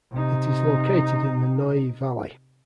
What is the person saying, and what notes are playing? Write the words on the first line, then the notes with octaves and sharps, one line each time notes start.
It is located in the Noye valley.
C3 D#4